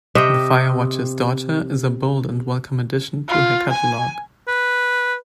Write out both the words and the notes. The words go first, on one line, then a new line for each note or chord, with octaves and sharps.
The Firewatcher's Daughter is a bold and welcome addition to her catalogue.
C3 D#5 E5 G5
F4
G#5
B4